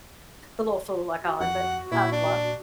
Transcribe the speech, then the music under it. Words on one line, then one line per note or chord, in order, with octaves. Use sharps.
the little fool I call him, but out of love.
F#4
F2 F#5
A#2 E4
D4